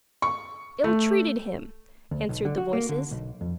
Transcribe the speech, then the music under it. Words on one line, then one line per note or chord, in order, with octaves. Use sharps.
'Ill-treated him!' answered the voices.
C#6
A3
D2
B1
D3
F#4
A#3
D3
B1
F2